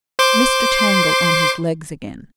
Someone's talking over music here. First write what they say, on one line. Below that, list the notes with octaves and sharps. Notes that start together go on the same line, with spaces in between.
Mr. Tangle on his legs again.
C5 C6 D6